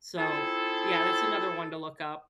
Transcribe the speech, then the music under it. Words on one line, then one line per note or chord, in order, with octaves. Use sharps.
So, yeah, that's another one to look up.
C4 E4 F4 G#4 A4